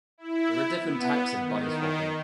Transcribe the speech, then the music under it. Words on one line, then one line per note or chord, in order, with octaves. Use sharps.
There are different types of body swapping.
E4
B3
D#3